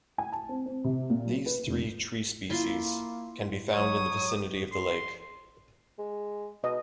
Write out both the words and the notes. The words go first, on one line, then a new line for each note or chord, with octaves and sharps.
These three tree species can be found in the vicinity of the lake.
G#5
A5
C4
C4
C3
A#2
F#3
B4
F1
A#3 E4 F4 C6
F#3 C#5 D#6
C6
G#3
B2 D#5